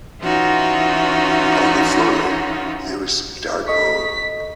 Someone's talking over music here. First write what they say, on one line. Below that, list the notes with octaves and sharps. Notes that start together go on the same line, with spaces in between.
Upon the floor there was some dark mould.
E3 C#4 D#4 F4 F#4
A4 D#5 C#6 B6